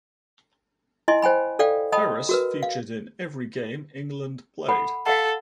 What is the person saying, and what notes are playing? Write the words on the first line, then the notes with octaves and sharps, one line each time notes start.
Ferres featured in every game England played.
E4 D#5 G#5 C6
C5 G5 G#5 B5
A4 D5 F5 G5
D#5 G5 A5 B5 D#6
F#4 A#4 B4
F5
A4 F#5 B5
A4 F5 F#5